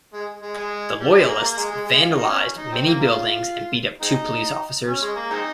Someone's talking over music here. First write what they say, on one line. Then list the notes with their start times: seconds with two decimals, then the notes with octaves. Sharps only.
The loyalists vandalised many buildings and beat up two police officers.
0.14 G#3
0.42 G#3
0.57 G#3
1.00 G3
1.14 G#3
1.28 A#3
1.43 A#3
1.57 G#3
1.71 G#3
1.86 G#3
2.00 F4
2.15 D#4
2.29 C#4
2.58 D#4
2.72 C4
2.87 A#3
3.01 F4
4.01 G#3 C4 D#4
4.87 C#4
5.02 G#3
5.16 A#3
5.31 G#3 C4 D#4